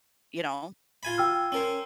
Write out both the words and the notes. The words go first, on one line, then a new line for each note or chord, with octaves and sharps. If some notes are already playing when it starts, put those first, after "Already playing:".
you know?
F4 G#5 B5
G5 E6 F6
C#4 A#4 C5